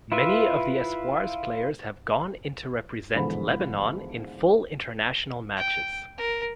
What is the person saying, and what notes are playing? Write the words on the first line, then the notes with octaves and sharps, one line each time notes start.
Many of the Espoirs players have gone into represent Lebanon in full international matches.
E4 F4 B4 E5
G#2 B2 D3 E3 F3 B5
G5
A#4